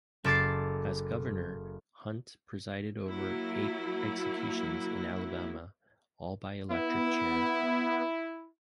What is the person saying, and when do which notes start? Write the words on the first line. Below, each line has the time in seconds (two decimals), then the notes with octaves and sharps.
As Governor, Hunt presided over eight executions in Alabama, all by electric chair.
0.24 F#1 A4 D6 A6 C7
3.08 F#3 A#3 E4
6.71 B3 E4